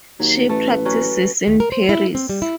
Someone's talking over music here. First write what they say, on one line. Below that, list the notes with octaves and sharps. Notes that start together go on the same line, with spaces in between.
She practices in Paris.
D#2 F#3
A1 A3 B4
F#3 C#4 F#4
D#2
A#4
C5
E4
C4
G3
E4